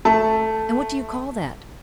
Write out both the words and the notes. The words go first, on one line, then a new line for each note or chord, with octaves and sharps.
"And what do you call that?"
A3 A5